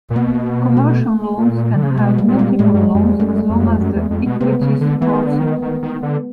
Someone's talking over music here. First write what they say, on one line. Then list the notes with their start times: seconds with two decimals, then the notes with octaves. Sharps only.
Commercial loans can have multiple loans as long as the equity supports it.
0.10 A#2
0.16 B2 A#3
0.77 A3
1.38 A#2
1.75 D3
1.83 C#3
1.91 C3
1.98 B2 G#3
2.18 G3
2.28 A#2
2.39 G3
2.59 A2 G#3
2.74 G2
2.94 F#2
3.04 F2
3.19 F#2 A3
3.49 F2
3.59 F#2
3.69 F2
3.80 F#2
3.95 E2
4.10 F2
4.26 B2
4.40 C3 B3
4.61 C#3
4.81 D3
5.01 E3 B3
5.14 D#3
5.26 D3
5.39 D#3
5.62 D#3
5.82 D#3
6.03 D3